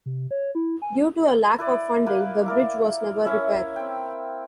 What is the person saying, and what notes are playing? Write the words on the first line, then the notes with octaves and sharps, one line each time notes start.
Due to a lack of funding, the bridge was never repaired.
C3
C#5
E4
G#5
E4 B4 D5
A#3 B4 D6
E4 A#4 D5
C#4 E4 C#5 E5
C4 G5